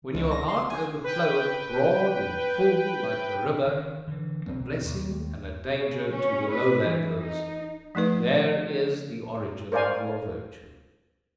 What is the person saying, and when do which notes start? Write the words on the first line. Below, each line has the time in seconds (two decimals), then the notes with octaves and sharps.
When your heart overfloweth broad and full like the river, a blessing and a danger to the lowlanders: there is the origin of your virtue.
0.15 C#2
0.32 A#6
0.48 C6
0.70 G#5
1.04 B4 G5
3.67 D#3
4.08 D3 E3
4.46 B1 B2 F#3 C4
4.85 D#2
5.74 C#3
6.09 C#4
6.50 B4
6.84 E3
7.18 D#4
7.95 F3 A3 D#4 B4
9.72 A#4 C5 D5 F5 G#5